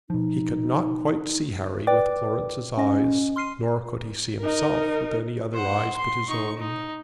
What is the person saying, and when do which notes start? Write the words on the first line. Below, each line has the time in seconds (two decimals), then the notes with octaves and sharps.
He could not quite see Harry with Florence's eyes nor could he see himself with any other eyes but his own.
0.10 B2 F3 D#4
1.87 B4 D5 G5 D6
2.78 C#4 D#5
3.36 C6 F6 C7 D#7
4.40 D#4 A#4
5.53 C5 F#5
5.97 C6
6.28 D#4 C#6
6.58 D#4